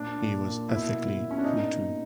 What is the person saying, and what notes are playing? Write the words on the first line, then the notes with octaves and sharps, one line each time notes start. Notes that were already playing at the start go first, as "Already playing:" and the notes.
He was ethnically Hutu.
Already playing: A#2 D4
A#2
A#2
B2 E4
B2
B2
C#4
D4
A#2 D#4
A#2